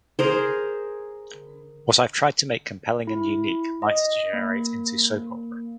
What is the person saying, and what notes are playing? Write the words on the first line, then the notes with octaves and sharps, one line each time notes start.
What I’ve tried to make compelling and unique might degenerate into soap opera.
G#4 A#4 C5
E4
D#5
A#3